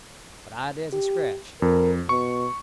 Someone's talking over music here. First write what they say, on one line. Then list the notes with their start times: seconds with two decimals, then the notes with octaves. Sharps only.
But I dasn't scratch.
0.93 G4
1.62 F2 A#4
2.09 B2 C#6